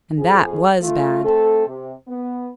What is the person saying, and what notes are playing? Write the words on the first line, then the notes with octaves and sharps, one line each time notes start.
And that was bad.
F2 G#4
A3 F4
A3 C4 A4
C3
B3